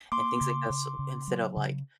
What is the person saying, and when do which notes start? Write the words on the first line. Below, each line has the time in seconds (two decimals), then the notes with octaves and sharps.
and things like that, so instead of, like
0.12 A#3 C6 D6
0.41 C#3
0.70 C#3
0.99 C#3
1.28 F#3
1.57 C#3